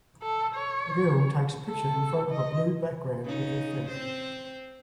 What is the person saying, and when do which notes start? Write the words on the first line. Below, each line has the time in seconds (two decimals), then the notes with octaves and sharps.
A girl takes a picture in front of a blue background with her friend.
0.22 A4
0.55 C#5
1.68 A4
2.30 D#5
3.24 C#3 D#4
3.89 C4 C5